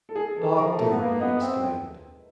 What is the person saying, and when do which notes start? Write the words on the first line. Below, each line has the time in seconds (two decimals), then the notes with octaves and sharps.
"Doctor!" he exclaimed.
0.09 A4
0.15 G#4
0.36 E3 A4
0.57 F3 A#4
0.71 A4
0.79 A3 A#4
0.91 B3
0.99 A#3 B4
1.20 B3 D#5
1.41 C4 E5